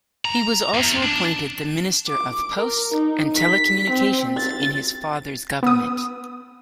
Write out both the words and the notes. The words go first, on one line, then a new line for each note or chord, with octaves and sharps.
He was also appointed the Minister of Posts and Telecommunications in his father's government.
A#5
E2
D4
D6
A#4
D#4
B6
C4
A6
B3 D#6